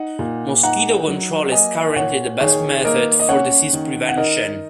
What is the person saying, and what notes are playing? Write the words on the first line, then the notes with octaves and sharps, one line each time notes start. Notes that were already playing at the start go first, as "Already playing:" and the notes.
Mosquito control is currently the best method for disease prevention.
Already playing: D#4 F#5
A#2
D#4 F#5 A#5
F#3
A#3 D#5 G#5
A#2 C#5 F#5
D#3 G#4 C#5
A#3 A#4 D#5
D#5
C#4 C#5 F#5
D#3
F#5
D#4 A#4 D#5